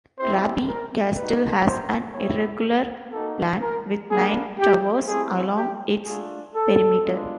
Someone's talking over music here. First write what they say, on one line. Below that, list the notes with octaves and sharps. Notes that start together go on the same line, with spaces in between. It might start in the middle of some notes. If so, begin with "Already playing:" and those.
Raby Castle has an irregular plan, with nine towers along its perimeter.
C4 E4 G4 C5
A#4
A#3 D#4 F#4 B4
C5
B3 E4 G4 C#5
A#3 D#4 F#4 A4
A#4
G3 A#3 D4 G#4
G4
A3 C4 E4 G#4
G4
A3 D4 F4 G#4
A4
G#3 B3 D4 F4